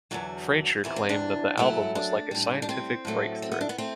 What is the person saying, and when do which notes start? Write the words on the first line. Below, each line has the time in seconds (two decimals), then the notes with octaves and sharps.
Fraiture claimed that the album was "like a scientific breakthrough".
0.11 E2 D3 F#3 F#4
0.84 E2 C3 E3 E4
0.96 C4
1.09 D4
1.57 F#2 F#3 A3 E4
1.95 D4
2.31 A2 G3
2.62 D4
2.69 C4
3.05 A2 F#3 A3
3.42 C4
3.52 B3
3.61 D4
3.69 B3
3.78 A3 C4